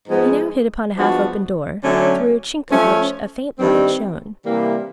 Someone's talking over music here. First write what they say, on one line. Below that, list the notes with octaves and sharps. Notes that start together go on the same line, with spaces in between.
He now hit upon a half-open door, through a chink of which a faint light shone.
G#2 F3 G#3 B3
F3 G#3 B3 D4 F#4
D3 F#3 A3 C#4
F3 A3 C#4
G2 D#3 G3 C4
C3 E3 G3 A#3